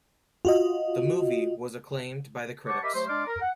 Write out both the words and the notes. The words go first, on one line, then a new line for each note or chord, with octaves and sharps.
The movie was acclaimed by the critics.
F4 F#4 D#5
C5 C#5 F#5 A5 C#6 D6
G4 A#4 D#5 E5 B5 D6
F#3 A3 G4 C5
G#3 D4 D5 C6 D6 F6
A#4
F#5